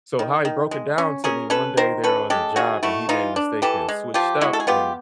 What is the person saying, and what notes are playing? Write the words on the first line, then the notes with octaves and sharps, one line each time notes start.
So, how he broke it down to me, one day they're on the job, and he made a mistake and switched up, and
D#3
D#3
G#3
C#4
C#4 G#4 A#4
C#4 A4 B4
D#3 A#4 C5
C#4 A4 B4
G#3 G4 A4
D#3 F#4 G#4
A3 E4 F#4
E3 D#4 F4
D4
E3 G4 A4
G#3
F3 F4 G4
G#3 E4 F#4
A4
G#4
B3 F4 G4